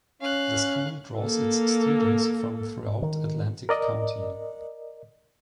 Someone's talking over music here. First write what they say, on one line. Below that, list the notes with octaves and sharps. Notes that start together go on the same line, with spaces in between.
The school draws its students from throughout Atlantic County.
C#4 F5 F#6
A#3 A4
D#3
A#4 D5 D#5